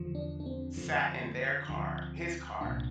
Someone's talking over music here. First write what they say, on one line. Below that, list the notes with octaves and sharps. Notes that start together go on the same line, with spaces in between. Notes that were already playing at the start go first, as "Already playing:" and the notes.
sat in their car his car,
Already playing: E2 D3 F3
D4
D4
C4
F2 D3 F3
D2 D3 F3
C2 A#2 F3 D4